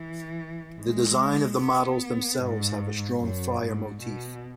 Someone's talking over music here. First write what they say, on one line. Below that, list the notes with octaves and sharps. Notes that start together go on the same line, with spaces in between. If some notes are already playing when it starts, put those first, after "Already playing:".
The design of the models themselves have a strong fire motif.
Already playing: E3
G#3
B3
G#2
F#2
G#2
B2